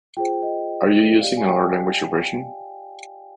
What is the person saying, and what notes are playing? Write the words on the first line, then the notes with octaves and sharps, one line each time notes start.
Are you using another language or version?
F4 G#4 C5 G5
D#5
G4 D5 F5
G#5
G5